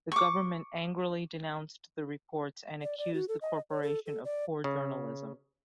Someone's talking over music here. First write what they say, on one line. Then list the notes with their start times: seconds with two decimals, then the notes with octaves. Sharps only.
The government angrily denounced the reports and accused the corporation of poor journalism.
0.12 C#6 D6
2.82 D5
2.98 D5
3.14 F#4
3.28 A4
3.42 D#5
3.71 C#5
3.83 A4
4.06 A4
4.25 D5
4.64 C#3